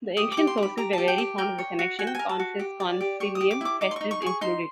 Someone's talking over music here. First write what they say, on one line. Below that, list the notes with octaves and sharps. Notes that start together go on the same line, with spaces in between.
The ancient sources were very fond of the connection "Consus-consilium", Festus included.
G4 D#6
D6
G4
C6
G4
B5
G4 A#5
G4 A5
G5
G4
A#4 G5
C#5
F#4
F#4 G#5
G5
A#4 G#5
A5
F#4
G4
D5
G4
G4 C#6
D#6
G4
D6
E4 D6
D#4 D6
C6
D#4 C#6
C#6
G#4 C#6
D#4 C6